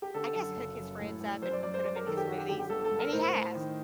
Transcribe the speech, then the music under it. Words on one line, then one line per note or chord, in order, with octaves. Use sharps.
I guess, hook his friends up and put them in his movies, and he has.
G4
D3 A4
F#2
F#1
F#2
A2
A2
F#2 C5
D5
F#2 D5
C5
F#2 D5
A#4
D#3 A4
G4
F#2 F#4
G4
D3 G4
G4
G1 A4
A4
G1
A#4
A2 C5
A2
D#3